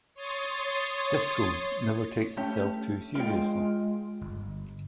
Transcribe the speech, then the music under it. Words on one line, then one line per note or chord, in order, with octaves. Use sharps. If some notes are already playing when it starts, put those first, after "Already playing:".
Disco never takes itself too seriously.
C#5 C6 D#6 A6
A3 C#4 G4
G#3 F4 G5
G1